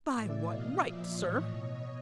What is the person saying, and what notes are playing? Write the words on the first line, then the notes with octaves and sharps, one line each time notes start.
"By what right, sir?"
A2 E3 D5 E5
B2 D#5 F5
A#2 F3 D5 E5
A2 E3 C#5 D#5
B2